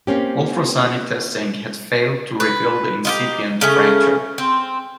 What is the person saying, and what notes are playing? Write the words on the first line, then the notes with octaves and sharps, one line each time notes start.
Ultrasonic testing had failed to reveal the incipient fracture.
A#3 C4 C#4 G4
B4
D#4 F4 G4
C#3 A3 C#4
C4